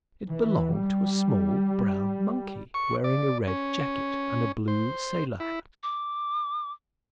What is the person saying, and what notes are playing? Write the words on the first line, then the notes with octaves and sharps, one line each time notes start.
It belonged to a small brown monkey wearing a red jacket and a blue sailor hat.
E3
G3
C#6
D5
C#4
C5
E4
D6